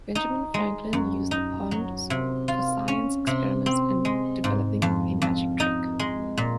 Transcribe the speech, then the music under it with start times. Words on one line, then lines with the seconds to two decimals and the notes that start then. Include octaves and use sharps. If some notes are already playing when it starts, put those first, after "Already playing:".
Benjamin Franklin used the ponds for science experiments, and developing a "magic" trick.
0.15 D#4
0.54 G#3
0.93 F#2
1.31 D#4
1.71 F#3
2.10 C3
2.48 F4
2.88 C#4
3.27 C3
3.66 C4
4.05 G#3
4.44 G#2
4.82 F2
5.22 F2
5.60 D#4
5.99 G#3
6.38 A#2